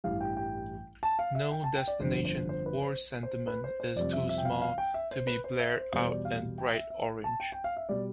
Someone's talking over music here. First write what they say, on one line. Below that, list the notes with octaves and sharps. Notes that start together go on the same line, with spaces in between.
No destination or sentiment is too small to be blared out in bright orange.
A1 G2 E3 G3 F5
G5
G5
A5
F5
E5
G5
A5
G5
D5
G1 F2 D3 F3 C5
C5
C5
B4
C5
C5
B4
C5
C5
F2 C3 G3 D5
E5
E5
G5
F5
F5
G5
E5
C5
B4
C5
E5
C5
E2 B2 G3 C5
D5
F5
G5
E5
E5
A5
G5
G5
F5
E5
B2 G3 D5